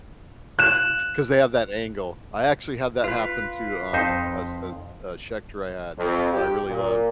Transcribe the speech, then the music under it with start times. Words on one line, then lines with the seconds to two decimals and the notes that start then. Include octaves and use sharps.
'cause they have that angle. I actually had that happen to, um, a s a a Shechter I had, that I really love,
0.59 F#6 E7
3.04 F4 B4
3.93 F2 D#4 C5
5.98 F2
6.34 G4
6.68 A#2